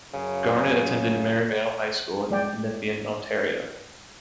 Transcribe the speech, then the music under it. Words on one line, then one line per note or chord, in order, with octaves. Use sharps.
Garnet attended Merivale High School in Nepean, Ontario.
F#2 C#3
G#3 D5 G5